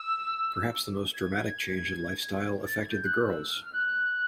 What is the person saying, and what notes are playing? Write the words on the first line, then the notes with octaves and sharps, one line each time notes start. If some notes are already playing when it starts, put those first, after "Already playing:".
Perhaps the most dramatic change in lifestyle affected the girls.
Already playing: E6
G#6
A6
G#6
G6
F#6
E6
F6
F6
F#6